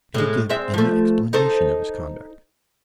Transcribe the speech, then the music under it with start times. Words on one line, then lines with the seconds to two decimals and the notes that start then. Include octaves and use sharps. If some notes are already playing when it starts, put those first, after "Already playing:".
"Did he give any explanation of his conduct?"
0.14 A2 G#3
0.49 G#3 C4 E5
0.74 F3 A3
1.33 D#4 A4 C5